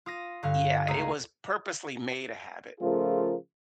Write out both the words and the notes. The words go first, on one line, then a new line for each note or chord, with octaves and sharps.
Yeah, it was purposely made a habit.
F4 D#6 A#6
G2 D3 F5
C#2 A3 A#5 D#6 C7
C#3 F3 A3 F4 G#4 A#4